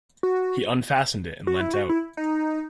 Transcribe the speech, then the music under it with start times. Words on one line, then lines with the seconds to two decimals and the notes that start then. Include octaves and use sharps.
He unfastened it, and leant out.
0.23 F#4
1.47 F#4
1.60 E4
1.74 F#4
1.89 E4
2.17 D#4